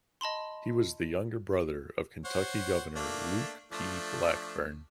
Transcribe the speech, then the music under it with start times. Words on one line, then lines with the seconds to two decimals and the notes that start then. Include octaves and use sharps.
He was the younger brother of Kentucky governor Luke P. Blackburn.
0.21 D#5 A5 B5 C6
2.25 C5 C#5 F#5
2.96 A3 A#3 D4
3.72 F3 A3 D4